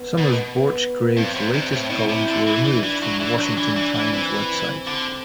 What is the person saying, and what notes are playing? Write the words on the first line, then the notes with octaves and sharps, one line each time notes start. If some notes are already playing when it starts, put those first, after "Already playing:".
Some of Borchgrave's latest columns were removed from the "Washington Times" website.
Already playing: B3
B2
B3
G2 C4
F#2
G2
A2
B2 E4
C3
D3
E3
E3 D4
E3
F#3
E3
F#3 D4
E3
E3
E3
E3 C4
D3